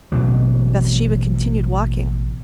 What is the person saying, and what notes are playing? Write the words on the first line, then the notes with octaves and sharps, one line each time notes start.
Bathsheba continued walking.
A1 B2 E3 F#3